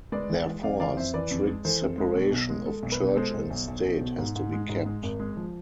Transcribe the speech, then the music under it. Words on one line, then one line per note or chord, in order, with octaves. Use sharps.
Therefore, strict separation of church and state has to be kept.
G#3 B4 D5
E3
G#3
F2 D5 F5
E3 D5 F5
F2 C5 E5
E3 B4 D5
F2
G#3
E3 A4 C5
F2
G#3
B2
B1
G#3
G#3 A4
B1
B4
B2
G#3 A4 C5
B1
B1
B1
B1
B2
G#2
G#2
G#3
G#2
G#3
G#1
G#3
F3